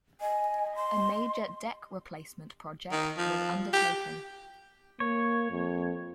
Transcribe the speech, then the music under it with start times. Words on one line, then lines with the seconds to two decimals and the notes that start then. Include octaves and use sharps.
A major deck replacement project was undertaken.
0.21 D#5 G#5
0.76 C6
2.92 D#3
3.18 F3
3.74 G4
5.00 A#3 C#5
5.51 F2